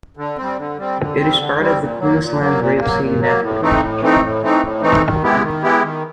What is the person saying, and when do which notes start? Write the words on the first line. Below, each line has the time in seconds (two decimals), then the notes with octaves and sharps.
It is part of the Queensland Rail City network.
0.17 D3
0.37 G3 C4
0.57 D3
0.78 G3 C4
0.98 D3
1.18 G3 C4
1.38 D3
1.59 G3 C4
1.79 A#2
1.99 F#3 A#3
2.19 A#2
2.39 F#3 A#3
2.59 A#2
2.80 F#3 A#3
3.00 A#2
3.20 F#3 A#3
3.41 A2
3.60 E3 A3 C4 D#4
3.81 A2
4.01 E3 A3 C4 D#4
4.21 A2
4.41 E3 A3 C4 D#4
4.62 A2
4.82 E3 A3 C4 D#4
5.02 D#3
5.23 G#3 B3 E4 G4
5.43 D#3
5.63 G#3 B3 E4 G4
5.83 D#3